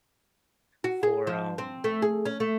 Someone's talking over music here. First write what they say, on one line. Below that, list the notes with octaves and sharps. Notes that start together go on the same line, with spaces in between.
for, um,
F#4
G#4
F3
C4
A3
G#4
C#4
A3